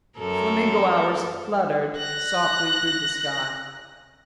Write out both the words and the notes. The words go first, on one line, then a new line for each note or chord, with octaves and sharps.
The flamingo hours fluttered softly through the sky.
F#2 A4 A#4
F#6 A#6